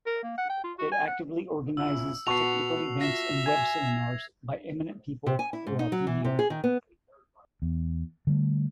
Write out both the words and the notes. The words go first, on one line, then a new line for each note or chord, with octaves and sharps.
It actively organizes technical events and web seminars by eminent people throughout the year.
A#4
A#3
F#5
G5
F4
F#4
G#5
F#5
C#4 E4 F4 E6
A#2 B3 F#4 A5 C#6 C7 F7
F4 E5 A#6 C7
G#5 G#6
C3
G#5
E4
G#2
D#4
F#3
E3
C3
G#4
D#3
B3
E2
D3 G3 A3